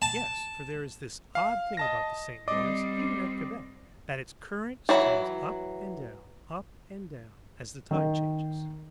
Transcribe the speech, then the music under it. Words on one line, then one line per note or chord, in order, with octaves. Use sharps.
Yes, for there is this odd thing about the St. Lawrence, even at Quebec, that its current streams up and down, up and down, as the tide changes.
A5
F5
D#5 A5 A#6
G3 C4 D5 D#5 D6
E3 F#3 B5
D#3